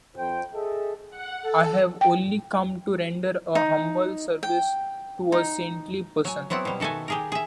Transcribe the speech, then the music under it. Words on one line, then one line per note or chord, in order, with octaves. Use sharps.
I have only come to render a humble service to a saintly person.
F2 C5 G5
G#4 A4 D#5 E5
F#5
A4
G5
D#4
G5
D#4
F#3 G#5
F#3 B3 C4 E4 F#5
B2 G3
D#3 F#4 A4 E5 G#5
G4 G#4 A#4
G#4 E5